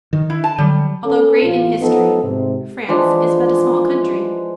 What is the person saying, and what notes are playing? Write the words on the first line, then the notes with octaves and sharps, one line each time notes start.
Although great in history, France is but a small country.
D#3
E4
A5
D3 F#3 G3
C#4 A4
A1 F4
F3 B3 D#4 A4
G#2 C3
E3 F3 G#3 D4